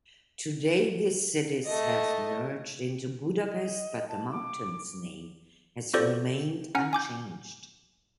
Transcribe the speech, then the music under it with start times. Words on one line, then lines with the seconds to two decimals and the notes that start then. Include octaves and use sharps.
Today, these cities have merged into Budapest, but the mountain's name has remained unchanged.
1.65 A3 D#5
3.46 D#5
4.08 A5
4.31 D6
5.94 C4 F4 G4 A4 C5 D5
6.75 C#4 F#5 G#5 A#5 F6
6.93 G#5 D6 G6